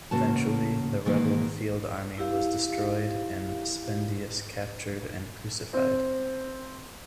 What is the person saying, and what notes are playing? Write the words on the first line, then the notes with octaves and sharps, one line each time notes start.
Eventually the rebel field army was destroyed and Spendius captured and crucified.
E2 C#3 A#3 F#4 A5
B2 D#3 E3 G#3 A#3 B3
E4 G4 F5
C4